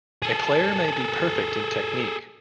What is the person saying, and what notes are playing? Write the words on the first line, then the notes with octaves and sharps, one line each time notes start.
A player may be perfect in technique.
G#4 A4